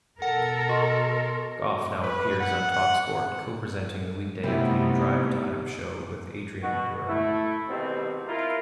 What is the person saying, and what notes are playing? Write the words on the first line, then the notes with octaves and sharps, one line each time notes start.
Gough now appears on Talksport, co-presenting the weekday afternoon drivetime show with Adrian Durham.
B2 A4 A#4 F#5
F#4 D#5 C6
B4
F#5
F#5
C3 G3 A3 B3 D#4 E4
B2 F#4
A3 E4
C2 G#2 B2 D#3 C4 G4
E4 F4 A#4